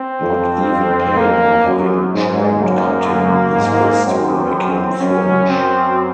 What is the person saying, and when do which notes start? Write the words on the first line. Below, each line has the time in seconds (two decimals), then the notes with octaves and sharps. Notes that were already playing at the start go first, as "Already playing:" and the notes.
Not even pain or having Trent cutting his wrist will make him flinch.
Already playing: C4
0.21 F2
1.17 A#3
1.66 F#2
2.13 G#2 G#3
2.61 F#2 A#3
3.57 G#2
4.05 F#2 C4
5.00 F#2 C#4
5.50 C4